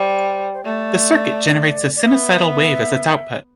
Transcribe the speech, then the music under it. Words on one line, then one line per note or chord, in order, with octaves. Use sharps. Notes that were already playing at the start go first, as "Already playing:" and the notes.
The circuit generates a sinusoidal wave at its output.
Already playing: G3 C5
C5
A3 D5
D5
B3 E5